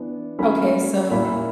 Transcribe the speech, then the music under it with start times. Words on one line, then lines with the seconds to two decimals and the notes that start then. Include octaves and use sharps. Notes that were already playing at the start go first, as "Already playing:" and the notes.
okay, so
Already playing: E3 B3 D4
0.38 F#3 A#3 C#4 B5
1.11 A#2 A#3 E4 B5